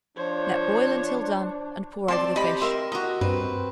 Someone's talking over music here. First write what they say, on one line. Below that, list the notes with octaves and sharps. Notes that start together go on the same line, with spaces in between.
Let boil until done and pour over the fish.
F3 D4 C5 C#5
C4 D5 A5 C6
G4 D#5 B5
A#4 E5 C6
F#4 D#5 A#5
G2 C4 B4